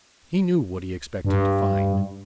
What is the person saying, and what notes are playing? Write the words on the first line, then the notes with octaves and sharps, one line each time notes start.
He knew what he expected to find.
G2